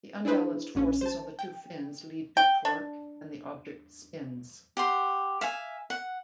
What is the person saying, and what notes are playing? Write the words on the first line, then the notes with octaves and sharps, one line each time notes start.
The unbalanced forces on the two fins lead to torque and the object spins.
D4 E4 G#4 B4 C5
A#1 D3 C#4
C5 A5
G5
G5
D4
G4 F#5 C6
E5 F5 G#5
F#5